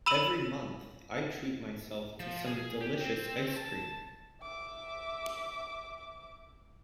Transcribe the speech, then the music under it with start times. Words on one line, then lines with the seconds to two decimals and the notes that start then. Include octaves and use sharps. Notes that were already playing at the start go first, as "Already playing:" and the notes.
Every month, I treat myself to some delicious ice cream.
0.06 B5 E6 D#7 F#7
2.20 F3
2.46 G#4
2.81 G4
3.01 C4
3.56 A5
4.42 E5 D6